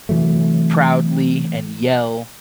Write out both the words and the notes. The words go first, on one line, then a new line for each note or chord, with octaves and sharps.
proudly and yell,
C3 E3 F#3 A3